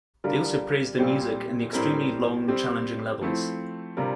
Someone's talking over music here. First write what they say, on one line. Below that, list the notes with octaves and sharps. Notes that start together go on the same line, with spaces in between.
They also praised the music and the extremely long, challenging levels.
D3 G3 D4 F4 A#4
A#2 G3 C4 G4 C5
A2 G3 C4 E4 A#4
G3 C4 G4
F3 A3 C4 E4
C3 G3 D4 F4 A#4